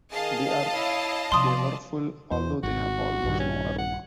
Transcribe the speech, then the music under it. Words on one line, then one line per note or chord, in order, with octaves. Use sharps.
They are flavorful, although they have almost no aroma.
D#3 G#4 D#5 F5 A5
E4 C#5
C3 F3 D5 C6 D#6
E2 C5
G#1 F#4
A#1 G2 D#3
C#4
F#5